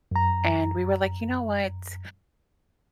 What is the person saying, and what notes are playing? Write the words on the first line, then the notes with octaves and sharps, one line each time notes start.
and we were like, "You know what?
F#2 A#5